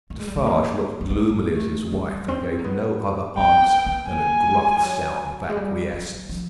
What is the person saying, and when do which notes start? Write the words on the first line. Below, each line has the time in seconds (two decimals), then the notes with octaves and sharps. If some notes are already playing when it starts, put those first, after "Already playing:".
Defarge looked gloomily at his wife, and gave no other answer than a gruff sound of acquiescence.
0.10 A3
0.19 G#3
0.27 G3
0.36 G#3
0.46 A#3
1.01 C4
1.10 B3
1.20 A#3
1.55 A3
1.92 G3
2.28 C4
2.59 A#3
2.65 B3
3.38 C4 G5
3.62 B3
3.86 B3
4.10 A#3 G#5
4.47 G#3
4.77 F3
4.83 F#3
5.49 G#3
5.57 G3
5.93 F#3
6.29 F3